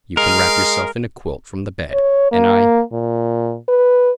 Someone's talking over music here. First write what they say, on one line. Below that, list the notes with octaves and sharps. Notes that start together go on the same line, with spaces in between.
You can wrap yourself in a quilt from the bed, and I ...
G#3 A#4 F5
C#5
A#3
A#2
B4